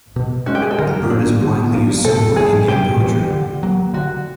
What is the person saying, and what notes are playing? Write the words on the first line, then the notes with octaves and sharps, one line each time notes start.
The bird is a widely used symbol in Indian poetry.
B2
G#3 C#4 F#4
G4
G#4
A4
D3 A#4
F3 A#3 D4
D3
F3 A#3 D4
C3 A4
E3 G3 G#4
C3 G4
E3 G3
D3
F#3 A#3
D3 F#4